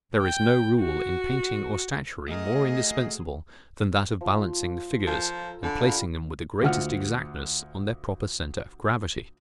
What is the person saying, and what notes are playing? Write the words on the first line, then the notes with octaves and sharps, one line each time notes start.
There is no rule in painting or statuary more indispensible than that of balancing the figures, and placing them with the greatest exactness on their proper centre of gravity.
G5
F#4
A3 F#4 G#4 A#4 D#5
F3 C6
F3 A4 A#4 G#5
D3 G#5 B5
G3 F4 A#4
D2 F4 F#5 F6